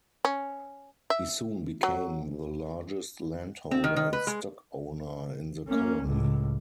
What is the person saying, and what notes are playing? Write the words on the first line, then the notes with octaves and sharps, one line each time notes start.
He soon became the largest landholder and stock-owner in the colony.
C#4
E5
F#3
C4
D#3
D#3
B4
G#3
A#3 C#4
C#2 A2